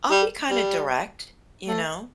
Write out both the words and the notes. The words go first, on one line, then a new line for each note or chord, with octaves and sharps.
I'll be kinda direct. You know?
G3
G3
A3